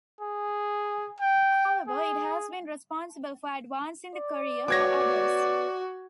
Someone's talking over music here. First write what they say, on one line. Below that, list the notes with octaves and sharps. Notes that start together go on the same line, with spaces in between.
However, it has been responsible for advancing the career for others.
G#4
G5
G#4
D5
B3 F#4 C#5 D6 G#6 A#6